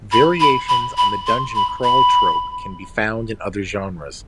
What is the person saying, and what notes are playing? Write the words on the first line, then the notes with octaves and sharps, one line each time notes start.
Variations on the dungeon crawl trope can be found in other genres.
B5
B5
B5
B5
C6
B5
B5